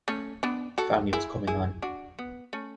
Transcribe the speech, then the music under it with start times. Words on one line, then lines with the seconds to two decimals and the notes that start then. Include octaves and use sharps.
The family was coming on.
0.08 A3 C#4
0.43 B3 D4
0.78 F#4 A4
1.13 E4 G#4
1.47 E4 G#4
1.82 D4 F#4
2.19 B3
2.53 A3 C#4